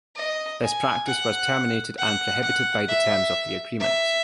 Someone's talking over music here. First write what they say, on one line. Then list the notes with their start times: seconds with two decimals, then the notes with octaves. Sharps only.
This practice was terminated and prohibited by the terms of the agreement.
0.16 D#5
0.62 G#5
1.07 F#5
1.98 F#5
2.43 F#5
2.89 E5
3.80 E5